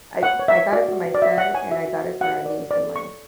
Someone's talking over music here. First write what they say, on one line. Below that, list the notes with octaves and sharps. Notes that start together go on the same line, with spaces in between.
I I got it for my son and I got it for a niece of mine,
C#5 F#5
C#5
E5
C#5
F#4 D5
F#4
F#4
D5
F#4 E5
C#5 F#5
C#5 G#5
F#4 E5
F#4
F#4
F#4 F#5
F#4
D5
C#5
C#5 D5
A4
C#6
C#5